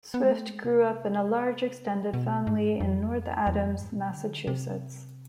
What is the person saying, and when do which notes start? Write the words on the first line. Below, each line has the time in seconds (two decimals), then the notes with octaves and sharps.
Swift grew up in a large extended family in North Adams, Massachusetts.
0.14 B3
0.24 G#3
0.31 A3
0.47 G#3
0.64 C3
2.13 B2
2.47 G#2
2.80 F2
3.47 E2
3.63 F2
3.80 G#2
3.96 B2
4.13 D3
4.47 C3